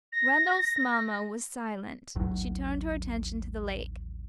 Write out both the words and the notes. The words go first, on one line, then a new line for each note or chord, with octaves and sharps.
Randolph's mamma was silent; she turned her attention to the lake.
A#6
A1 D#2 F#3